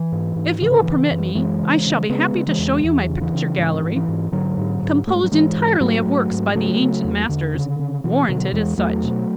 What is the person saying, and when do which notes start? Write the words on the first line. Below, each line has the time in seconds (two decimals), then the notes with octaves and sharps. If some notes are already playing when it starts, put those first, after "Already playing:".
If you will permit me, I shall be happy to show you my picture gallery, composed entirely of works by the ancient masters--warranted as such.
Already playing: E3
0.12 G#2
0.36 G#2
0.61 C#3 E3
0.72 D3
0.82 C#3 E3
1.11 F#2
1.35 F#2 E3 G#3
1.60 C#3
1.86 C#3
2.09 C#3 G#3 B3
2.35 C#3
2.47 E3 G#3
2.59 E2
2.84 E2 E3
3.09 C#3
3.22 E3
3.34 C#3
3.58 G#2 E3
3.84 G#2
3.96 E3
4.08 G#2
4.32 G#2 D3 F#3
4.58 G#2
4.82 G#2
5.07 G#2 A3
5.15 G#3
5.24 F#3
5.32 G#2 E3 G#3
5.57 G#2
5.81 G#2 F#3 A3
6.06 G#2
6.31 G#2
6.55 C#3 F#3 A3
6.81 C#3
7.04 E2
7.29 E2 D3
7.55 C#3
7.79 C#3
8.04 B2 E3
8.29 B2 D3 F#3
8.53 E2 E3 G#3
8.78 E2 F#3 A3
9.04 B2